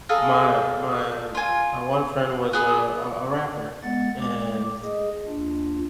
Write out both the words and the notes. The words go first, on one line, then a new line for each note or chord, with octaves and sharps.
my my my one friend was a a a rapper, and
F4 G#4 A4 A#5
F4 G#5
B3 G#4
G#3 B3 F#5 A6
G#3 D6
G#4 D#5
D#2 D4 F4